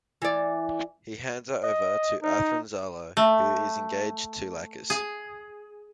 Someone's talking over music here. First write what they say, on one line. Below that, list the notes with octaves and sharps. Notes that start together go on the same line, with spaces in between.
He hands her over to Athrun Zala, who is engaged to Lacus.
E3 D5
D#5
D#4
A3
G#4